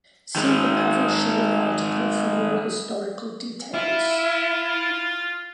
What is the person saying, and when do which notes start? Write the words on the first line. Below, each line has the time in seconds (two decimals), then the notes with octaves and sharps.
See the Pavel Schilling article for more historical details.
0.36 D#3 G#3
3.74 E4 F4